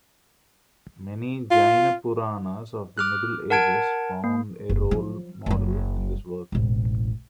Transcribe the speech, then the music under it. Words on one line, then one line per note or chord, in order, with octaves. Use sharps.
Many Jaina Puranas of the Middle Ages found a role model in this work.
F4
D6 F6 F#6
A#4 F#5 A5 G#6 D7
A#3
F#1
F3 F#3
F#1 F#3
E1 A1